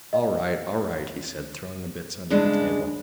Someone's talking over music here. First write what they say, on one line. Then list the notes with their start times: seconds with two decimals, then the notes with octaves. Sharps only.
"All right, all right," he said, throwing the bits under the table.
0.13 D#5
2.30 G2 C#3 G#3 D4